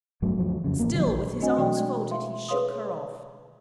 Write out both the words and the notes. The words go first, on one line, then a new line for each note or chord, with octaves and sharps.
Still, with his arms folded, he shook her off.
G1 G2 F#3 A3
D2 F3 F#3
F2 C#3
A1 A#3
D3 D#3 F3 F#3
A#1
A3 C4 D4 F#4 D#5 G#5
B2 E3 F#3 F#4 D5 G5
G#3
E5 F5 C6
G#4 B4 C#5 F5 C6 D#6